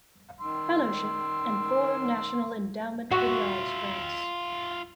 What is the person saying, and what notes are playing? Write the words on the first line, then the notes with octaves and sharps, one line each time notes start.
Fellowship, and four National Endowment for the Arts grants.
D#3 C6 E6
F4 F#4 E5